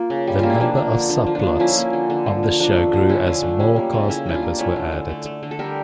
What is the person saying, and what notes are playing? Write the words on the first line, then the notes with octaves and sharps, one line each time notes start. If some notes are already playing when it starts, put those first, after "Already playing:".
The number of subplots on the show grew as more cast members were added.
Already playing: A#3 F4
C#3
G3
A#3 F4
E4
F3 D4
A#3
D3
D3
F3
D4
A#3
F3 C#4 E4
A#3
D3
D3
F3
A#3
F3 D4
A3
D3
D3 C#4 E4
F3 D4
A3 D4
G3 C#4
A#3
C#3
C#3 C#4 E4
G3 E4
D4 F4
A#3
A3 C#4 E4
D3
D3
A3
A3
D3
A4
G3 G4 A#4